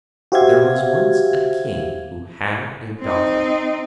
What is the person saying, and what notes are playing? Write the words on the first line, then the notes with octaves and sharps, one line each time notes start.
There was once a King who had a Daughter.
F#4 G4 C5 E5 F5 G#6
C4 D#4